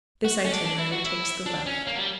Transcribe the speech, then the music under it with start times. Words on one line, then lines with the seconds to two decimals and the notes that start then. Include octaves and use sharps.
This itinerary takes the left.
0.25 F#4
0.45 C#4
0.52 D4
0.65 D4
0.79 E4
0.92 F#4
1.06 E4
1.46 D4
1.66 C#4
1.87 A#3
1.95 F#3
2.00 G3